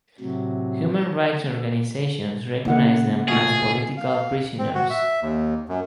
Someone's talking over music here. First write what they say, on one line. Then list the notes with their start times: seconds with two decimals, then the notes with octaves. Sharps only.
Human rights organizations recognized them as political prisoners.
0.20 A2 C3 F#3
2.65 C#3 A#3 E4 F#5
3.28 B2 F3 A3 G#4
3.97 F5
4.59 C4
4.75 F#4
4.90 E5
5.22 D#2
5.69 F#2